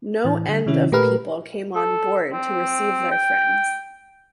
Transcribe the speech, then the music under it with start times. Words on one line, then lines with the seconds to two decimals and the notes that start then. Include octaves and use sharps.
No end of people came on board to receive their friends.
0.25 A2 E3
0.48 D3 G3
0.66 C3 D#3 C#4 E4
0.92 A#2 A3 G4 A#4 B4 F6
1.75 A4
2.33 C4
3.11 G5